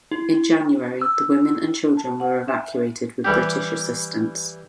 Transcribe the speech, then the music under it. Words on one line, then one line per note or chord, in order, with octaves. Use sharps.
In January, the women and children were evacuated with British assistance.
E4
E6
A5
F#5
E5
E3 G3 G4